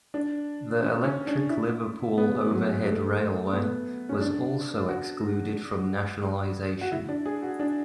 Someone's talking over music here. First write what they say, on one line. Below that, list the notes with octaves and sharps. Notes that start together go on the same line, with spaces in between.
The electric Liverpool Overhead Railway was also excluded from nationalisation.
D4
C#4
C#4
D4
E4
B3
G#3
F#3
G#3
A3
B3
C#4
D4
F#4
F#4
E4
D4
G#4
F#4
D4